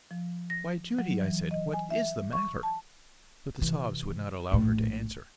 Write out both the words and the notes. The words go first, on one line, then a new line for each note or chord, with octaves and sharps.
"Why, Judy!" I said, "what IS the matter?" But the sobs would not allow her to answer.
F3
A#6
F#3
E3
D#5
G#5
E5
C#6
A5
C3 E3
A#1 A2